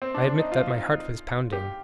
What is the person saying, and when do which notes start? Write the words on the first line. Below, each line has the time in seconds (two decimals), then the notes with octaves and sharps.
I admit that my heart was pounding.
0.02 C4
0.14 D4
0.26 D4
0.39 D#4
0.52 F4
1.52 G4